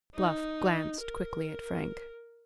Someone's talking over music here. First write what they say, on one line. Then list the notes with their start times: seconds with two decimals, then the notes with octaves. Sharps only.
Bluff glanced quickly at Frank.
0.15 D#4
1.01 A#4